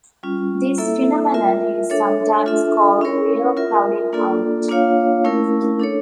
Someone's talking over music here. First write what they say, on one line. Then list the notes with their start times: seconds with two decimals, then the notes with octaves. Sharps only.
This phenomenon is sometimes called "real" crowding out.
0.23 G3 C#4 F4
0.78 A#3 E4 A4 E5
1.34 F4 A#4 E5
1.90 D4 A4 C#5 E5
2.46 D4 F4 A4 E5
3.01 C#4 E4 A#4 C#5
3.57 F4 A#4 E5
4.13 A#3 D4 F4 A4 D5
4.68 A#3 D4 F4 C#5 F5
5.24 A3 C#4 E4 A#4
5.79 D4 A4 C#5